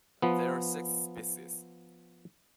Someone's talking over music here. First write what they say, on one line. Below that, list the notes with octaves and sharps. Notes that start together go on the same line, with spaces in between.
There are six species.
F3 B3